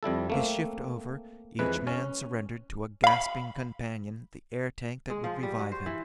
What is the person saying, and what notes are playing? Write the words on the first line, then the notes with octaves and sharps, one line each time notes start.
His shift over, each man surrendered to a gasping companion the air tank that would revive him.
F2 G3 E4 A4
A3 A#3 C4
F2 E3 G#3 B4
C#4
F5 B5
G#3
F3
G3
F#4
C5
E3